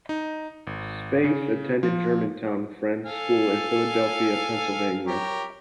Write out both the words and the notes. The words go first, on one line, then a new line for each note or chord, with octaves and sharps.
Spaeth attended Germantown Friends School in Philadelphia, Pennsylvania.
D#4
G#1
C#3
F3
A4 F5 G#5
G4 A#4 C#5